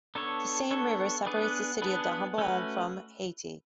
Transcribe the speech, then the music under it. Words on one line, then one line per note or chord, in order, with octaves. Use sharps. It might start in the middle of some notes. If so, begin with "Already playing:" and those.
The same river separates the city of Dajabon from Haiti.
B3 D4 A4 C#5
B3 D4 A4 C#5
B3 D4 G#4 B4
B3 D4 G#4 B4
A3 C#4 F#4 B4